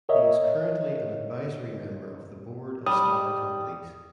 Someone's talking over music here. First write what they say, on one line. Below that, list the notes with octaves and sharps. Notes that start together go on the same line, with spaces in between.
He is currently an advisory member of the board of Starr Companies.
A#4 C#5 D#5 E5
G3 A5 D#6